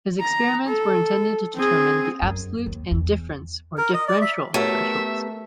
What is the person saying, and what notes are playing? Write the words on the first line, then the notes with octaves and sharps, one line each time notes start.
His experiments were intended to determine the absolute and difference, or differential, thresholds.
A#5
A4
C4 G#4
F#2
D#2
E2
A#4
D#5
D5
E5
A3 B3 F#4 G4 A#4 C#5 E5